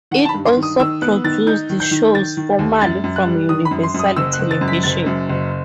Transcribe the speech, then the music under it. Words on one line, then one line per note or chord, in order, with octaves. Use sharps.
It also produced shows formerly from Universal Television.
D#3 F#5
A5
B5
G2
C6
D#3
D#6
D#3 E6
B3 F#6
D#3 A6
D#4 G6
D#3
G6
D#3
D#3 A6
D#3
D#2
F#2 A6
F#2
F#6
G3
D#3 D#6
B5
F#2
C6
F#2
D#6
F#1 E6
F#6
F#1
A6
F#2
B6
F#1 A6
F#2
F#1